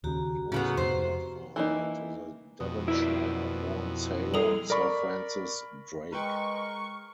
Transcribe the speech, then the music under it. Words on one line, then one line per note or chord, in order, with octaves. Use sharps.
He was a godfather to the Devonshire-born sailor Sir Francis Drake.
D#2 C#3 F#4 G4 A#5
A2 C#3 F#3 B3
F2 C3 C5
E3 A#3 D#4
F2 B2 D#6
E4 A#4 B4 D5
G3 G#4 A4 D#5 A#5 D#6
A#4 D5 B5 C#6
G#3 A#4 B4 G5 C#6